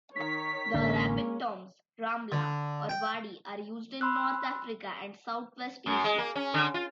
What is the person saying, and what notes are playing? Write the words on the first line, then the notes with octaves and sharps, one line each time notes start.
The Arabic terms rambla or wadi are used in North Africa and Southwest Asia.
D#3 C#5 B6
A1 D3 G#3 A#3 C#4 D4
D3
G5
B5 C6 E6 F#6
F#2
G#3
A#3
C#4
D3
F4